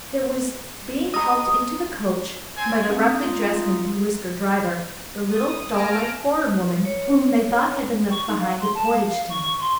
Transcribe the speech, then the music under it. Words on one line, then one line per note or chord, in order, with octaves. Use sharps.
There was being helped into the coach by the roughly dressed and bewhiskered driver, the little, doll-like, foreign woman whom they thought had been left behind at Portageton.
D#5 A#5 D#6
C4 G#5
A3 C4 D4 D#4 B4
F4
D#6
A#3 G#5 A5 F6 A#6 D7
C#5
C#6
D#4
F5
C6
A5
F5
F5
C#6
C#6
C6